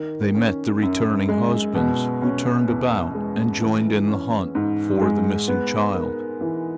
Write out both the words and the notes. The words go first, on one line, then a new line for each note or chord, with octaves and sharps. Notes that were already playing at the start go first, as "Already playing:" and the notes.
They met the returning husbands, who turned about and joined in the hunt for the missing child.
Already playing: D#3
C#4
F#2
G#3
B2
C#4
E2
G#3
E3
C#4
G#2
G#3
B3
A#4
E3